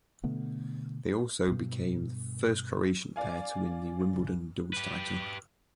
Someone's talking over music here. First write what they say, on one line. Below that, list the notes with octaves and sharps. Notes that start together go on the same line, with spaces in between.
They also became the first Croatian pair to win the Wimbledon doubles title.
B2 D3 A3 B3
G2 B2
D5 F5 G#5
G4 B4